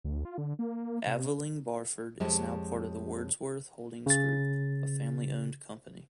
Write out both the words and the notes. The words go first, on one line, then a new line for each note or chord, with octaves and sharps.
Aveling-Barford is now part of the Wordsworth Holdings Group, a family-owned company.
D2
F4
D3
A#3
C3
F2 G#3 G4 C#5 D#5 A5
C#3 A6